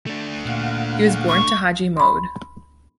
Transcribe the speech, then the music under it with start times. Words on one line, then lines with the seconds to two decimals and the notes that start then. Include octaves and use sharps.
He was born to Haji Mohd.
0.07 A3 D4
0.46 A#2 F5 F#5
1.29 C#6
1.97 B5 C6